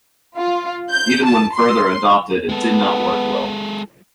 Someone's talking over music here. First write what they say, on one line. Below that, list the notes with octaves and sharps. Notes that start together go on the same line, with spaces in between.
Even when further adapted it did not work well.
F4
G6
A5
C6
G#3 B3 A4